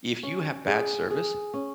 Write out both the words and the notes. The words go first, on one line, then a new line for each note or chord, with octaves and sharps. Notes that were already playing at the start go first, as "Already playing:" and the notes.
if you have bad service,
C#4
G#4
G#4
C#4